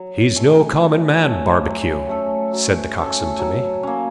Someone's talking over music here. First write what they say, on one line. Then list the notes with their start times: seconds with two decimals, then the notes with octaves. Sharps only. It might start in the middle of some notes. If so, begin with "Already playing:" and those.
"He's no common man, Barbecue," said the coxswain to me.
Already playing: F#3
0.36 A3 C#4 A4
0.79 F#3
1.22 A3 C#4 A4
1.66 F#3
2.09 A3 C#4 A4
2.53 F#3
2.96 A3 C#4 A4
3.39 F#3
3.83 A#3 C#4